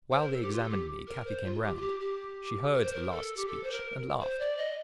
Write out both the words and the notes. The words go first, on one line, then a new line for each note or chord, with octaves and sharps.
'While they examined me, Cathy came round; she heard the last speech, and laughed.
C5
A#4
A4
G4
F4
A4
G4
A#4
C5
F4
G4
F4
G4
G4
A#4
C5
A#4
A4
G4
A4
C5
A#4
C5
D5
D#5